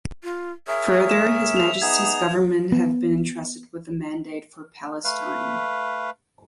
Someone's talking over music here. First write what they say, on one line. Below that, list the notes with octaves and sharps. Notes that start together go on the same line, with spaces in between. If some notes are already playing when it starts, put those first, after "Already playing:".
Further, His Majesty's Government have been entrusted with the Mandate for "Palestine".
F4
G#4 A#4 C#5 E5
E7
F7
B3 D#4 G#4 G#6
B3
A3 B4 F5